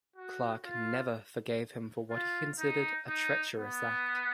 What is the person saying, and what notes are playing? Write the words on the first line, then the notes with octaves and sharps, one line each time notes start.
Clarke never forgave him for what he considered a treasonous act.
F#4
F4
F4
D#4
D#4
B3